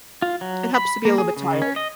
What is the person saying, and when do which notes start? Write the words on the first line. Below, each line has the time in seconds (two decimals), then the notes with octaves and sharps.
It helps to be a little bit tired.
0.22 F4
0.41 F#3
0.75 B5
1.05 A#3
1.18 G#4
1.37 C#3
1.62 C#4
1.76 D#5